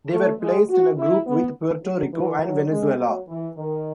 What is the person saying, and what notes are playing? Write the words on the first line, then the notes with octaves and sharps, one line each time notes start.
They were placed in a group with Puerto Rico and Venezuela.
A3
G#3
F#4
E4
B3
F#3
E3
F#3
G#3
F#3
E3
D#3